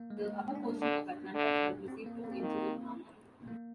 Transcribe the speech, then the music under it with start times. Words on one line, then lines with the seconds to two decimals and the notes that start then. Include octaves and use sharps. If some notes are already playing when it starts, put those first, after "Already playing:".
The upper portion of "Atlanta"s hull received two inches of armor.
Already playing: A#3
0.10 G#3
0.55 D4
0.82 D3
1.35 D3
1.88 C4
2.06 A#3
2.24 A#3
2.32 C4
2.40 D#3 A#3
3.48 A#3